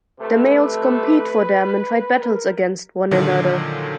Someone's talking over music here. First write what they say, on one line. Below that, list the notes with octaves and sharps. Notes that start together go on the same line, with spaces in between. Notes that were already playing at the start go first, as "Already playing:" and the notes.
The males compete for them and fight battles against one another.
F2 C3 A3 B4
A#4
A#2 D3 D#3 F3 F#3